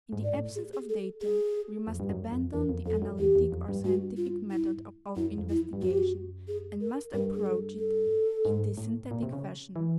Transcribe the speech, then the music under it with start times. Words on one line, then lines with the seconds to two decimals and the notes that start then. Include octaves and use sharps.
In the absence of data we must abandon the analytic or scientific method of investigation, and must approach it in the synthetic fashion.
0.13 G#2
0.24 D5
0.34 A2
0.55 G#4
0.73 G#4
0.89 A4
1.21 G#4
1.87 F2
2.00 G2
2.09 F#2
2.32 F2
2.53 E2 A#4
2.69 F2
2.86 F2 A4
3.02 F#2
3.18 E2 G4
3.36 E2
3.52 F2
3.68 G2
3.84 G2 F#4
4.17 F4
4.51 E4
5.16 F#2 E4
5.38 F2
5.49 E4
5.73 G2
5.82 F#2 F#4
5.91 G4
5.98 F#4
6.48 G#4
6.81 A#4
7.14 G2 A#4
7.34 G#4
7.46 A4
7.79 A4
8.45 G#2
8.77 A2
9.11 A#2
9.23 C3
9.33 C#3
9.76 E3